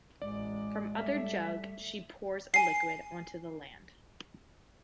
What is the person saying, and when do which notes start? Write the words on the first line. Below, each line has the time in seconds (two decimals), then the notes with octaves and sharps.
From the other jug she pours a liquid onto the land.
0.22 A1 G#3 D5
0.94 G3 A3 E5
2.54 G#5 C7